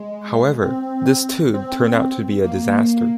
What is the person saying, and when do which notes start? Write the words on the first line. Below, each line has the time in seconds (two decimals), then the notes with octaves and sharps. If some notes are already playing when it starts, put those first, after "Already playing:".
However, this too turned out to be a disaster.
Already playing: G#3
0.63 C4
1.54 C4
2.44 A#3